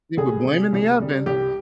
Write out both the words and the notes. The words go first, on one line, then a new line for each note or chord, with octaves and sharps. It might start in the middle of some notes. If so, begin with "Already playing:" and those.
see, we're blaming the oven.
C2 G#4
C3 G3
C2
C3 G3
C2 G4